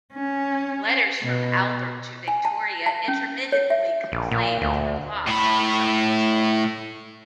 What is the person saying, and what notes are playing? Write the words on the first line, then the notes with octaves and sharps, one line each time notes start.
Letters from Albert to Victoria intermittently complain of her loss of self-control.
C#4
B2
G#5
A5
A5
C#4
C#5
E5
A#1
A#2
D2
A2 B5